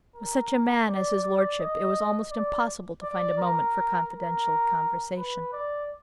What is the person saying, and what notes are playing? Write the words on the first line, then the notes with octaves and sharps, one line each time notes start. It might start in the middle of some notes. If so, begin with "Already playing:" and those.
With such a man as his lordship it was almost impossible to find a moment for confidential conversation.
A#4
D5
D5
D#5
D5
D5
A#4
A#4
B4
D5